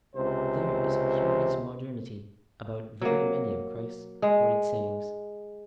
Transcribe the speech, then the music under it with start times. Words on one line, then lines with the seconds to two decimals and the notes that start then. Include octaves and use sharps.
There is a curious modernity about very many of Christ's recorded sayings.
0.16 C#2 C3 C5
3.02 F#3 A#3
4.22 G#3